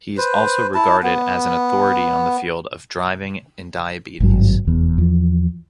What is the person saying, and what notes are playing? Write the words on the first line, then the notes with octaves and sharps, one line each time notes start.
He is also regarded as an authority on the field of driving and diabetes.
B4 C5
E4 A5
B3
G#1 G2 F#3
F1 E2
E2 F3